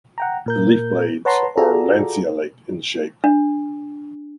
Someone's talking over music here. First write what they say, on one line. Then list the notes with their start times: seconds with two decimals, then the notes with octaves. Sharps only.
The leaf blades are lanceolate in shape.
0.18 F#5 G5 A#5
0.46 A#2 A#4 G6
1.25 B4 C#5 F#5 A5 A#5 C6
1.57 F4 F#4 G#4 A4 D5 A#5
3.24 D4